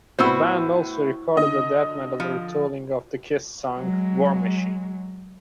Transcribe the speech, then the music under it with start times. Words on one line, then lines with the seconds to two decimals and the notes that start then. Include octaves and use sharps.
The band also recorded a death-metal retooling of the Kiss song "War Machine".
0.19 A2 B3 E4 F#4 C5 E6
1.36 D3 D#5
2.20 F3
3.77 F#3 G#3